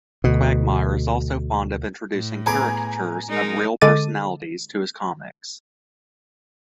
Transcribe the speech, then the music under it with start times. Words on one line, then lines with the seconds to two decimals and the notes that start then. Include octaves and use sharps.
Quagmire is also fond of introducing caricatures of real personalities to his comics.
0.24 D2 B2
2.15 A2
2.46 B3 G#4 G#5 A#5 D6 G#6
3.29 G#3 D#4 A#4
3.81 D3 G#3 A4 D6 A6 D#7